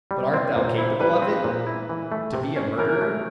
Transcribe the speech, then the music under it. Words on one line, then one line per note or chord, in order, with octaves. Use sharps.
But art thou capable of it--to be a murderer?
G3
C4
A#2 C5
E4
G3 B4
C4
A#2
E4
E3
A3
C3
C#4
E3 A#4
A3